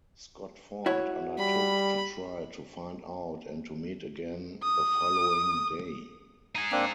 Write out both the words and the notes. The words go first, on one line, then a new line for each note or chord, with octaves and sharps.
Scott-Ford undertook to try to find out and to meet again the following day.
E4 F#4 C#5
G3 B5
D#6
D#4 G#4
A#3 C4 D4